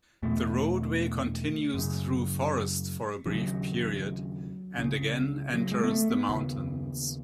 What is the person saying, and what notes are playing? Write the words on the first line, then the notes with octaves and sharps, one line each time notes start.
The roadway continues though forest for a brief period, and again enters the mountains.
E2 B2 A3
F#2 C#3
D#2 C#3 F#3
C#2 C#3
F#3
G#3
B3
A3
B3
D#2 C#3